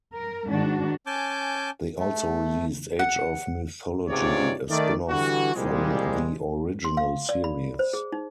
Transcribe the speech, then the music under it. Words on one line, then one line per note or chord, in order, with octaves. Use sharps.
They also released "Age of Mythology", a spin-off from the original series.
A#4
G#2 D#3 D4 F#4
C#4 G#5 A5 D6 G6
A3
F#5
C#2 G#2 C3 F4 C#5 D5
D#3 A3 D5
D3 E3 G3 F#4
C2 A#2 F3 G3 G#3
C6
F5
D5
B5
C5
G#4
D#4